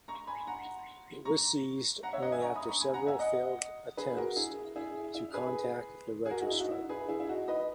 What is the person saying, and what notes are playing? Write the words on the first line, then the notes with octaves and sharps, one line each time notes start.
It was seized only after several failed attempts to contact the registrant.
A#5 C#6
G#5 B5
F#5 A#5
A#5 C#6
F#5 A#5
C#5 E5
D#5 F#5
E5 G#5
A#5 C#6
B5 D#6
A#5 C#6
G#5 B5
F#5 A#5
E5 G#5
D#5 F#5
G#4 B4
F#4 A#4
E4 G#4
E4 G#4
E4
G#4 B4
G#4
F#4 A#4
D#4 F#4
E4
D#4 F#4
E4
G#4 B4
E4 G#4
E4
D#4 F#4
B4 D#5